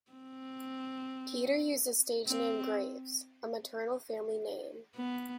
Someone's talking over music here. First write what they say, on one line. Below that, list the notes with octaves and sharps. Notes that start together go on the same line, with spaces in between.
Peter used the stage name "Graves", a maternal family name.
C4
C4
B3